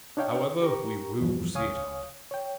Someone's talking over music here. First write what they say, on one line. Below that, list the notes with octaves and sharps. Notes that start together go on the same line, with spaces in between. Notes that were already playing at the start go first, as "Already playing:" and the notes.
However, we will see it out.
D4 D#4 C#5 F5 G5
G4 A#4 A#5 C#6
E2 G2 F3
C#2 C#5 F5 G#5 C#6 D#6
C#5 G5